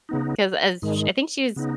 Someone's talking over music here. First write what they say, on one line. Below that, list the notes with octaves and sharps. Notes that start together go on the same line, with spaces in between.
'cause as sh I think she's
C#3 B3 D#4
G#2 D#3 G#3
C#3 B3 D#4